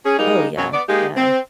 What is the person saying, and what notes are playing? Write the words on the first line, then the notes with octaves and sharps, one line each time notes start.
Oh, yeah. Yeah.
C#4 G#4
G3 G#3 A#3 D#4
F#2 B2 F#3 C#4
B3 D5
G#3 A#3 D#4 G4
C4